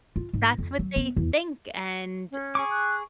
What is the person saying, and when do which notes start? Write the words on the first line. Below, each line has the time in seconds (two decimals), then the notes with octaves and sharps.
That's what they think. And,
0.16 F4
0.33 G#2
0.58 F2
0.79 F#3
0.96 B3
1.17 E2
2.31 C#4
2.55 G#4 C#6 D6
2.71 F#6